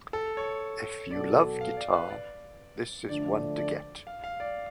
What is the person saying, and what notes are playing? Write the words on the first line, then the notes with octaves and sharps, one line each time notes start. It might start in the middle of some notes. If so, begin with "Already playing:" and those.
If you love guitar, this is one to get!
A4
C#5
B2 F#3 B3 F#4 A4 D5
F5
D5
B4
D5
D3 F3 A3 D4 D5
D5
F5
F5
D5